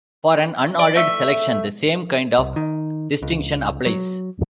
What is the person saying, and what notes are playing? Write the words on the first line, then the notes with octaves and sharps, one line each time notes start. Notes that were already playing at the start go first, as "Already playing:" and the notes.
For an unordered selection the same kind of distinction applies.
D5
A3 E5
C2
D#3
C#2
F#3